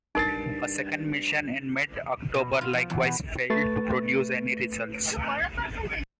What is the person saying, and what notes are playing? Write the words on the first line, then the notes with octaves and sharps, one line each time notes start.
A second mission in mid-October likewise failed to produce any results.
G2 D#4 A#4 A6 C7 D7
B2
F4
F3
E2
B2
A3 B4 C#6 A6